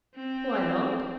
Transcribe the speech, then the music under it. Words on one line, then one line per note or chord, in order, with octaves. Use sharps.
"Why not?"
C4